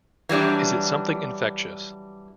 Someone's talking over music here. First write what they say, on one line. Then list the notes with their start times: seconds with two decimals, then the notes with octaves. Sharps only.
Is it something infectious?
0.29 E3 F#3 G3 D4